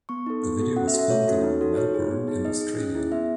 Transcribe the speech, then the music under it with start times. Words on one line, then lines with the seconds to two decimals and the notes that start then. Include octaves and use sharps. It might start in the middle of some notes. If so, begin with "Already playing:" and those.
The video was filmed around Melbourne in Australia.
0.09 B3 C#6
0.26 D#4 A4
0.43 B3
0.60 F#4 A4
0.76 C#4 F#5
0.87 E5
0.93 F#4 A4
0.99 E5
1.10 A3 C#5
1.27 C#4 F#4 A4
1.43 D#4
1.61 F#4 A4
1.77 D#4 C#5
1.94 G#4
2.11 B3
2.28 D#4 G#4
2.45 D#4 D#5
2.61 G#4
2.79 C#4
2.95 E4 G#4
3.12 B3 E5